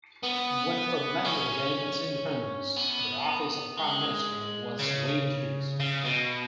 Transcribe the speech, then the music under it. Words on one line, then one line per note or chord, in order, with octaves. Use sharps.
When Armenia regained its independence, the office of Prime Minister was reintroduced.
B3
C#4
B3
G#3
C#3
C#3
B2